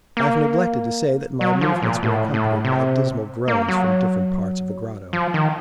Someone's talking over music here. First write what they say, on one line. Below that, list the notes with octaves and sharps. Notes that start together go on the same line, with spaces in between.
I have neglected to say that my movements were accompanied by dismal groans from different parts of the grotto.
A#3
F#3
F3
A#2
A2
A2
C3
A#3
F#3
F3
D#3